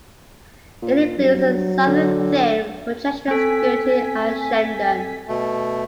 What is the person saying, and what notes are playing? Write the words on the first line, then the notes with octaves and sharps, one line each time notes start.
It includes a southern thin projection skirting Ashendon.
A#2
G2 F#3
D3
C4 A4 G#5 B6
B2 A3